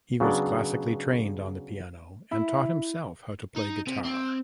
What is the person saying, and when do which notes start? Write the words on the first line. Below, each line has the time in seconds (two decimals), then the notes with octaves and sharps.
He was classically trained on the piano and taught himself how to play guitar.
0.20 C#3 F#3 B3 D4
2.31 E4
3.56 D#4
3.87 C3
4.05 C4